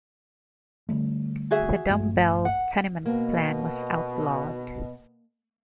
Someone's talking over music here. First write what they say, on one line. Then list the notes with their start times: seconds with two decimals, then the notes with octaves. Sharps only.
The Dumb-bell tenement plan was outlawed.
0.89 D3 G3 A3
1.51 F#4 G#4 E5
1.89 A#1 G2 A3
2.45 F#5
3.06 B2 A#3